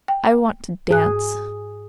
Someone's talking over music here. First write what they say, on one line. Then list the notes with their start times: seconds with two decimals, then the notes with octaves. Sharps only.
I want to dance.
0.08 G5
0.91 G#2 G#4 F#6